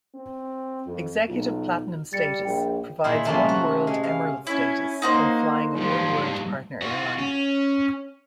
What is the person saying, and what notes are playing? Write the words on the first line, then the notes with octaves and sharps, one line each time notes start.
Executive Platinum status provides oneworld Emerald status when flying a oneworld partner airline.
C4
F2
B1 F4
G3 A6 C#7
A#1 G5
A#2 G#3 E4
C3 F3 A3 A#3 C4 C#4
F#4
G#3
F5
C#4 E4
A#3 D#4 F#4 C5
G#2 F3 G3
F4 F#4
C#4